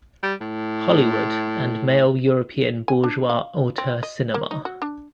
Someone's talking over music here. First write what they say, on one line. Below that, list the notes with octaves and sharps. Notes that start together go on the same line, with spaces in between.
Hollywood and male European bourgeois auteur cinema.
G3
A2
G#5
D4
F5
C4
D#5
A#3
D#4
F#4
D4